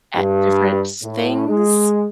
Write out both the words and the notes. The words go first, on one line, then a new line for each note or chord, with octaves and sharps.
at different s things
G2
A2
G#3